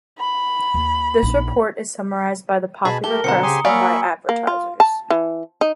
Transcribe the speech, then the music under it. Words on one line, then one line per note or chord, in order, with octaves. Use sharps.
The report is summarized by the popular press and by advertisers.
B5
D#2
A#1 D#4
B2 G#4 G#5 A5 B5
A3 G4 A4 A#4 G7
B2 D3 C4 F#5 A#5 C#7
C#3 G4 G#5 C6 D#6
F#3 A#3 D5 F5 G#5 B5 C#6 E6
A#3
F4
A5
E3
D#4